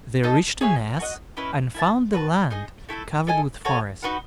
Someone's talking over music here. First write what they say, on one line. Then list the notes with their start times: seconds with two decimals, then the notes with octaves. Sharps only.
They reached a ness, and found the land covered with forest.
0.23 D#4 A4 D#5 A5
0.61 G#4 C#5 E5 G#5
0.99 F#4 A4 D#5 F#5
1.37 C#4 E4 B4 D#5
1.74 E4 A4 E5 A5
2.13 F#4 B4 E5 A5
2.51 D#4 G#4 D#5
2.89 A3 E4 A4 E5
3.27 E4 A4 D#5 G#5
3.65 F#4 A4 C#5 G#5
4.03 D#4 F#4 B4 F#5